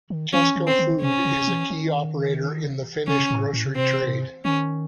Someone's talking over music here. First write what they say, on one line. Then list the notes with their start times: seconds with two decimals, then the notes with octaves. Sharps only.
Kesko Food is a key operator in the Finnish grocery trade.
0.10 D#3
0.33 E3 C#4
0.56 D#3
0.67 C4
0.79 D#3
1.02 C3 C#4
1.25 C#3
1.47 E3
1.70 D#3
3.08 C#3 C#4
3.31 A2
3.53 A2
3.65 C#3
3.76 C3 C4
4.45 D#3 C#4